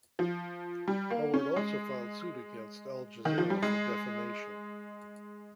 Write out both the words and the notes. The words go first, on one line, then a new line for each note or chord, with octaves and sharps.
Howard also filed suit against Al Jazeera for defamation.
F3
G3
A#3
C#4
G#3
D#3
F3
G3
G#3